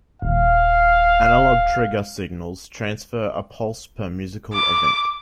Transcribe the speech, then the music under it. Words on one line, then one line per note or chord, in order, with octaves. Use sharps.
"Analog trigger" signals transfer a pulse per musical event.
D#1 F5
D6